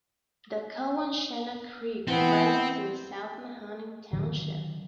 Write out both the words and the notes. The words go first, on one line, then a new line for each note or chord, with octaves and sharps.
The Cowanshannock Creek rises in South Mahoning Township.
E3 B3 C4
D3 D#3 F#3